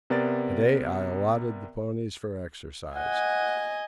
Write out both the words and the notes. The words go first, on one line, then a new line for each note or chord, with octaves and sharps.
To-day I allotted the ponies for exercise.
C3 B3 A#4 D5 A6
D#5 F#5 G#5